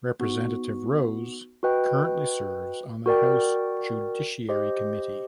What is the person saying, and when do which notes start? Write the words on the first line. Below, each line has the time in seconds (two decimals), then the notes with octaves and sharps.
Representative Rose currently serves on the House Judiciary committee.
0.20 B3 D#4 F#4
1.63 F#4 B4 D#5 G5
3.06 F#4 A#4 D5 G5
4.49 G4 C5 D#5